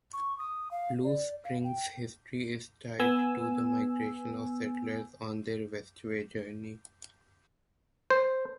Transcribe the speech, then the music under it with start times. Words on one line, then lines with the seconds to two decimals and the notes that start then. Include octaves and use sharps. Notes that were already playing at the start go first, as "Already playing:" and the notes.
Blue Springs' history is tied to the migration of settlers on their westward journey.
0.13 C#6
0.38 D#6
0.71 F5
1.04 D5
1.45 F5
1.64 G5
2.99 B3 G#5 E6
8.10 C5